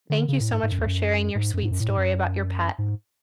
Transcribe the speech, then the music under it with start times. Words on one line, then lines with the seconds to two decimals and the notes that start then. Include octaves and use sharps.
Thank you so much for sharing your sweet story about your pet.
0.10 D3
0.28 C#3
0.40 A2
0.52 G#2
0.63 G#2
0.72 F#2
0.79 E2
0.87 F#2
1.35 G#2
1.54 F#2
1.63 G#2
1.71 F#2
1.80 A2
1.89 G#2
1.98 F#2
2.78 G#2